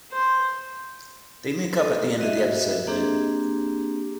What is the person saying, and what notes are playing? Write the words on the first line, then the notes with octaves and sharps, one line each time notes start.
They make up at the end of the episode though.
C5
A4 D#5
F#4 G4 D#5 E5
A#3 C4 D4 G4 G#4